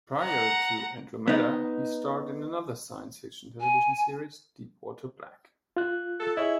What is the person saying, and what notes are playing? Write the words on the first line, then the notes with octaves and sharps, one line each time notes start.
Prior to "Andromeda" he starred in another science fiction television series, "Deepwater Black".
F#5 A#5
B3 D#4
G#5
F4 F#6
A4
E4 G#4 C#5 D#5